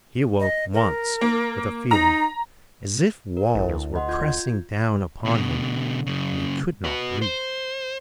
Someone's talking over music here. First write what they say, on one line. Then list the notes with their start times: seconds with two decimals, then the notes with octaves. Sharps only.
He awoke once with a feeling as if walls were pressing down upon him, and he could not breathe.
0.40 D#5
0.74 A#4
1.21 A#3
1.91 D#4 A#5
3.37 A#4
3.55 A1 E4
3.69 D2
3.96 D#5 F#5 C6
4.08 F4 G6 G#6
5.25 B2 D3
6.07 F#2 C#3
6.85 F#4 B4
7.22 C5